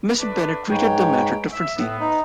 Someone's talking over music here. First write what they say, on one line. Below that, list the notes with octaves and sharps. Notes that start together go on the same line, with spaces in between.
Mr. Bennet treated the matter differently.
A3 D4 B4
G#2 B4 C#5 G5
E5
A2 B3
D#4